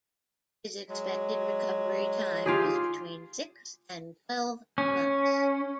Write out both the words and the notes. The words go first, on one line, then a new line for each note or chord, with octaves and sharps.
His expected recovery time was between six and twelve months.
F#3 G#3
F4 G4 G#4
C#4